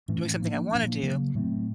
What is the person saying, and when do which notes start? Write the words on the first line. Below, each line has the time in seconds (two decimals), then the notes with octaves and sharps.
doing something I wanna do,
0.08 A2 E3 A3 C#4
0.40 F3 A#3 D4
0.71 A#2 F3 A#3 D4
1.03 C#3 F#3 A#3
1.35 A2 F#3 A3 C4